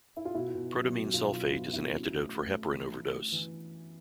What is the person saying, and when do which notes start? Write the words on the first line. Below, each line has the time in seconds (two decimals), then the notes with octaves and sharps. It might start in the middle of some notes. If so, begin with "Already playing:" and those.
Protamine sulfate is an antidote for heparin overdose.
0.17 E4
0.25 F4
0.35 B2 E4 F#4
0.54 B2
0.74 F#3
0.94 F#3
1.13 B2 F4
1.33 F#3 F4
1.54 B2 F4
1.73 B2 E4 F#4
1.93 C#4
2.13 A3
2.33 A3
2.52 A3
2.72 E3
2.92 A3
3.12 E3
3.32 E3